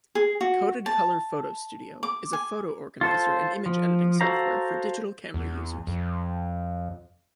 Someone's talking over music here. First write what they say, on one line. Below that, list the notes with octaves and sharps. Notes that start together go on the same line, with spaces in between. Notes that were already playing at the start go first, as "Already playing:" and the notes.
CodedColor PhotoStudio is a photo organizer and image editing software for digital camera users.
G#4
F#4
A5
D6
G#5
F4 A4 C5
F3
F#4 A4 C5 F5 A#5
E2
F2